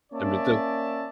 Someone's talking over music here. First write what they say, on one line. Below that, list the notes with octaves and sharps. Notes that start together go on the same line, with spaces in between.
I meant the
A#3 C#4 C#5 D5 E5 A5